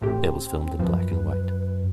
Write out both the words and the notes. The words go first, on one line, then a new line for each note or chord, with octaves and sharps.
It was filmed in black and white.
A1 A2 C4 G4
F#2 F3 B4